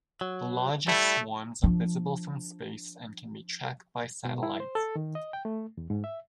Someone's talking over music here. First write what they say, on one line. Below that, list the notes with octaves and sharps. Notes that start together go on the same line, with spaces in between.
The largest swarms are visible from space and can be tracked by satellite.
F#3
G3 A3 E4
F3 D4
B2
E4
C5
A4
D#3
D#5
G5
A3
E2
G#2
E5